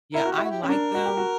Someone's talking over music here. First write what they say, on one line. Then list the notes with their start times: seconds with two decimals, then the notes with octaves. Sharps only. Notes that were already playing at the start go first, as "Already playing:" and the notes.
Yeah, I like them,
0.14 E4 A#4
0.25 F#4
0.32 E4 G4
0.44 F#4
0.51 G4
0.62 C#4 G4
0.68 D4 A#4
0.95 F#4
1.06 G4
1.17 F#4